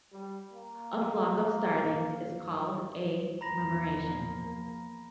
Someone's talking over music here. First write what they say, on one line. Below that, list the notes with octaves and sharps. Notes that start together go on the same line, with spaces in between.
A flock of starlings is called a murmuration.
G3
A#3
E2 F3 A#3 A#5 B5 A#6